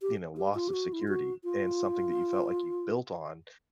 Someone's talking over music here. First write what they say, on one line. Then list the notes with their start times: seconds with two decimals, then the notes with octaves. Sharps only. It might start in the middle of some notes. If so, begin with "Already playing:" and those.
you know, loss of security and something that you felt like you built on,
0.02 G4
0.37 G4
0.55 F4
0.69 G4
0.73 F#4
0.93 E4
1.01 F4
1.08 F#4
1.44 F4